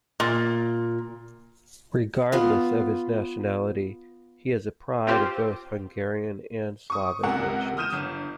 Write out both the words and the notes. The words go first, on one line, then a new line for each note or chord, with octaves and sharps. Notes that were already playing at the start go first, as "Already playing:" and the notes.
Regardless of his nationality, he is a pride of both Hungarian and Slovak nations.
A#2
B3 F4
C4 F4 G4 C5
C#6 D#6
C#2 C3 A#4 F#5 E7
D#6 F6 G6 D#7 E7
G1